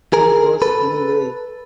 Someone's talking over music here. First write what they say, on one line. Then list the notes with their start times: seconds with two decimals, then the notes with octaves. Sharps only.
He goes anyway.
0.13 G#4 A#4
0.62 A4 B4